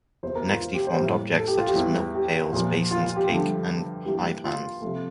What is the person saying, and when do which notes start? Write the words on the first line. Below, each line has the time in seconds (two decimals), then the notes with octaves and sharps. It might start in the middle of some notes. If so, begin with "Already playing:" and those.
Next, he formed objects such as milk pails, basins, cake and pie pans.
0.23 E2 E3 A#3 C5
0.35 A#4
0.49 F4
0.61 F4
0.75 G4
0.87 C5
0.99 A2 G3 A#3
1.38 A4
1.47 G4
1.57 F4
1.67 G4
1.75 E2 E3 G3
2.14 G4
2.52 A#2 F3 A#3
2.91 F4
3.03 F4
3.16 G4
3.29 G2 D3 F3 A3
4.05 G2 E3 G3 A#3 G4
4.44 F4
4.82 C3 F3 A3